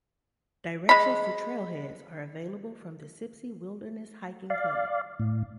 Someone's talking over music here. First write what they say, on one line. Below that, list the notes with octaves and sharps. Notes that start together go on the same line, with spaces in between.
Directions to trailheads are available from the Sipsey Wilderness Hiking Club.
G#3 B5
D5 F5
A2